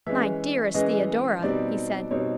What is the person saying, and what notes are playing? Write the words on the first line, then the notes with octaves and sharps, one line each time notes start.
"My dearest Theodora," he said.
E3 G#3 C#4 E5
E3 G#3 C#4 D#5
B2 G3 C4 D#4 D5
B2 G3 C4 D#4 C#5